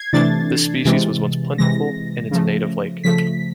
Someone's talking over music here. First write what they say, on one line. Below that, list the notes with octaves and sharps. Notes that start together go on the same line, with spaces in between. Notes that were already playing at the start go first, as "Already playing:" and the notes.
This species was once plentiful in its native lake.
Already playing: G#6 C7
C3 E3 A3 D4 A6
C3 E3 G#3
C3 E3 G#3 A#6
C#3 F3 A3
C#3 F3 A3 B6